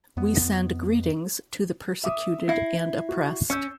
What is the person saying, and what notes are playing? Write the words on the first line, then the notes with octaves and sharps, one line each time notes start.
We send greetings to the persecuted and oppressed.
F2 B3
E5 D6 D#6
E4 A#6 C7
F#4
C#4 C#6 E6 G6